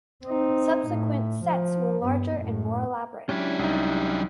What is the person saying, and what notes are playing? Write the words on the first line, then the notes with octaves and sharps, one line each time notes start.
Subsequent sets were larger and more elaborate.
C4 D#4
A2
F3
G2 B3
F#2 A2
F#3 C#4 D4 E4 G4
C2 D#4